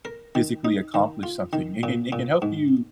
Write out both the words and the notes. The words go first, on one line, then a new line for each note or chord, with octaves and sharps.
physically accomplished something. It can it can help you
A#4
D#3
D#4
D#3
F4
D#3
A#2
A#2
G#2